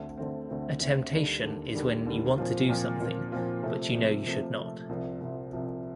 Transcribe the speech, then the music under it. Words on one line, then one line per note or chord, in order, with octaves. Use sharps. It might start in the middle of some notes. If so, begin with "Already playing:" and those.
A temptation is when you want to do something but know you should not.
Already playing: D2 D3 A3 C4
D2 D3 A3 C4
D2 D3 A3 C4
D2 D3 A3 C4
D#2 D3 G3
D#2 D3 G3
D#2 D3 G3
D#2 D3 G3
A#2 F3 C4 F4
A#2 F3 C4 F4
A#2 F3 C4 F4
A#2 F3 C4 F4
C3 F3 A3
C3 F3 A3
C3 F3 A3
C3 F3 A3
C2 C3 F3 C4
C2 C3 F3 C4
C2 C3 F3 C4